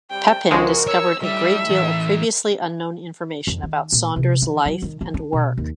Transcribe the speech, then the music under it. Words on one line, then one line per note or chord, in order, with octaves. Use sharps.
Peppin discovered a great deal of previously unknown information about Saunders' life and work.
G3 C4 G5
C#2 F3 G#3 F#4 A#4
C#5 E6
A2 D#3 G3 E5
E3 A4
F2
D#3
A#2
C3
E3
F#3
D#3
F3
D4
B2
D#2